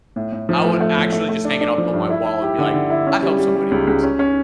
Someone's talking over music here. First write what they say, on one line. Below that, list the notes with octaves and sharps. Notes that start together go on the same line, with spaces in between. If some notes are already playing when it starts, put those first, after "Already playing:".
I would actually just hang it up on my wall and be like, "I hope somebody breaks in."
A2
A2
F3
A3
A3
A2
A3
A3
D4
D4
F3
G2
E4
E4
G4
D3
D3
E4
C#4
G3
G3
G3
C#2
C#2
C#4
C#4